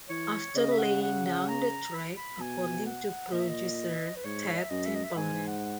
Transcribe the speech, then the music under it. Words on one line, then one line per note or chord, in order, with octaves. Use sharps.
After laying down the track, according to producer Ted Templeman.
E3 C#5
C#3 D#5
E5
F#5
F#5
F#5
A#5
B5
B5
B2 G#5
F#5
A#2 D#5
E5
D#5
B4
G#2 C#5
D#5
E5
F#2 D#5
E5
D#5
E5
G#2 G#5
F#5